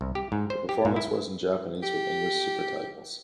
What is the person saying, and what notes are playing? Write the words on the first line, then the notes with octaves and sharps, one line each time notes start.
The performance was in Japanese with English supertitles.
C2
G4
G#2
C5
G4
G#2
E4
G4